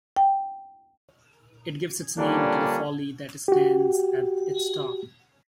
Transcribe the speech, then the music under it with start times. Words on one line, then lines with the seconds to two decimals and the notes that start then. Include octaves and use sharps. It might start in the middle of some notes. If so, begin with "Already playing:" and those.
It gives its name to the folly that stands at its top.
0.17 G5
2.18 D3 F3 G3 A#3 C#4 D4
3.48 F#4 G4